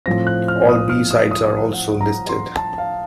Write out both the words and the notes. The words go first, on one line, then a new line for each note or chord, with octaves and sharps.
All B-sides are also listed.
A2 F3 C4 A#6
F#6
F6
D#6
F6
D#6
D#6
F#5
A#5
C6
A5
F5